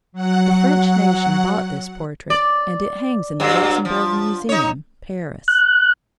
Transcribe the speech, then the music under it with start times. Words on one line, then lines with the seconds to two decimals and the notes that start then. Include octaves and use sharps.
The French nation bought this portrait, and it hangs in the Luxembourg Museum, Paris.
0.12 F#3 F#5
2.30 D5
3.40 G2 F#3
3.85 F3
4.49 D#4 C#5
5.48 F#6